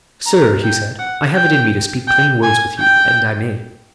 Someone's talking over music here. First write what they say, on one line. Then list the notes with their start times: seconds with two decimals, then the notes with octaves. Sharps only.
"Sir," he said, "I have it in me to speak plain words with you, and I may."
0.27 A#5
0.63 G5
0.99 F#5
1.34 G5
2.08 G5
2.43 G#5
2.79 G5